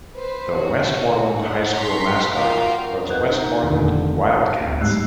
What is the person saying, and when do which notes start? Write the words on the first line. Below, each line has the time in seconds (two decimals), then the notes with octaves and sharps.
The Westmoreland High School mascot was Westmoreland Wildcats.
0.14 B4 C5
0.56 F#4 C#5
1.35 C#5 F#5
1.74 A#5 C6 C#6 B6
2.32 F4 F#4 A#4 F5 G5
3.10 A#4 B4 D#5 F#5 F#6 G6
3.31 D#4 A#5
3.62 F1 D3 D#3
4.22 F5 A5 D6
4.60 D1
4.80 G#2 G3 G#3 E6 F#6 C7